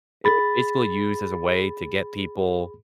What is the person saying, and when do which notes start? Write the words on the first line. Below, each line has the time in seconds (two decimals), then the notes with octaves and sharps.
it was basically used as a way to get people
0.24 G#4 B5 A6